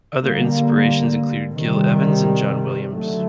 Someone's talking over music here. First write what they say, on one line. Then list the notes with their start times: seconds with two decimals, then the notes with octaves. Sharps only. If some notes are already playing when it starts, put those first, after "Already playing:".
Other inspirations include Gil Evans and John Williams.
0.19 D3 G3 A#3
1.54 C3 D#3 G3
2.89 D3 F#3 A3